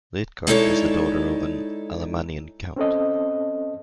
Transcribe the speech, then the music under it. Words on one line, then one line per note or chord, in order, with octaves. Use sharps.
Luitgard was the daughter of an Alamannian count.
G#3 D#4 E4 A4 C#5 D5
C4 C#4 A4 D#5